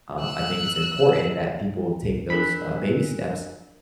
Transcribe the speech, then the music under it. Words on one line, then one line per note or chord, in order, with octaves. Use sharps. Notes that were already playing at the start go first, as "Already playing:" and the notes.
um, I think it's important that people take those, uh, baby steps
E6 F#6
D4 A#4 B5 F#6